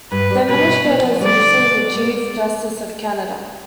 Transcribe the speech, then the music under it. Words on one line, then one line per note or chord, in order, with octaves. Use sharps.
The Administrator is usually the Chief Justice of Canada.
G2 B4
G3
B2 B4
B2
B3
F3
G3 D5
D3
B2
B3
G#3